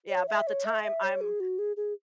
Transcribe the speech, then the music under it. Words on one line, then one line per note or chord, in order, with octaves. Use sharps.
yeah, about the time I'm,
C#5
E5
C#5
E5
E5
C#5
G#4
F#4
G#4
G#4